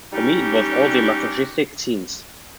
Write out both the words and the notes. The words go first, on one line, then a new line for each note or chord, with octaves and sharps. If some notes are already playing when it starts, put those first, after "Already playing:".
For me, it was all the masochistic scenes.
G3 C#4 D#4 F#4 G4